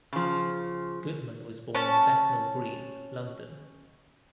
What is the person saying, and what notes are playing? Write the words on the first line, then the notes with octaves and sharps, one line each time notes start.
Goodman was born in Bethnal Green, London.
C#3 F3
C#4 A5